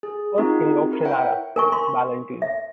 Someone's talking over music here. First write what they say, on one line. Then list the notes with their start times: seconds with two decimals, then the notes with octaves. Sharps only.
"First King of Shannara" Ballantine.
0.03 G#4
0.38 C4 D#4 F4 F#4 G#4 A#4
0.91 E4 A#4
1.03 E4 B4 C#5 E5 F#5 G5
1.56 A#4 G#5 C#6
1.72 C6
2.42 E5